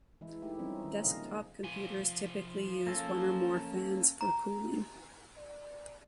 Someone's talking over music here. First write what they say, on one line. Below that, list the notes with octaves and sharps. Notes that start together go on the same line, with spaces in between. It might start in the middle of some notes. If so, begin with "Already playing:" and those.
Desktop computers typically use one or more fans for cooling.
E3 G#3 E4
A3 D#4 E4 G4
F3 G3 C4 C#4 D#4
D#3 C#4
A#2 C#3 F3 D#5 F5
F3 G#5
A#3 C#4 A4
A#5
D5